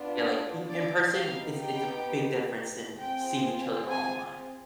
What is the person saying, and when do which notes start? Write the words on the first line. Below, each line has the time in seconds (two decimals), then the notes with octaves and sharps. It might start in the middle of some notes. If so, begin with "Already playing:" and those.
Yeah, like, being in person, w it's it's a big difference than seeing each other online.
Already playing: B3 D4 F4
0.70 D5
1.15 B3 D#4 G4 F5
1.61 G5
2.99 C4 F4 G#4 G5
3.90 G#5